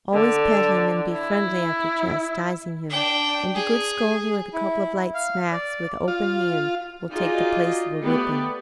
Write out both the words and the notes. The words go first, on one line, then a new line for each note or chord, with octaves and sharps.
Always pet him and be friendly after chastising him, and a good scolding with a couple of light smacks with open hand will take the place of a whipping.
D3
E4
D4 G5
G#4
E4
F5
D5
F4
D#4 F4 F#4 G#4 D5 D#5
A3 B3 G4 B4 D5